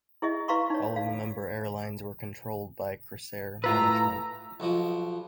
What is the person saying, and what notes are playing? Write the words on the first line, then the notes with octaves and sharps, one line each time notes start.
All of the member airlines were controlled by Krasair management.
E4 G#4 D#5 E5
E4 B4 F5 A#5 C6 C#6
D#4 C#5
F5
A2 F4 B4 A#5 E6
B1 B2 F3